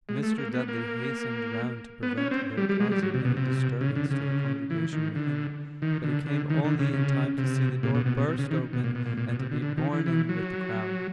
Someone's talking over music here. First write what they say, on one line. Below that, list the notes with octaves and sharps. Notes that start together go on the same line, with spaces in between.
Mr. Dudley hastened round to prevent their causing any disturbance to the congregation within; but he came only in time to see the door burst open, and to be borne in with the crowd.
G#3
A3
A#3
B3
A#3
B3
C#4
C4
G3
G3
G#3
G3
F#3
C3
B2
C3
C#3
D3
C#3
E3
D#3
D3
D#3
D3
D3
D#3
D3
C#3
C#3
C3
A#2
B2
B2
B2
C3
C#3
D#3
B2
A#2
B2
A#2
A#2
B2
C3
D3
D3
D#3
E3
E3
F#3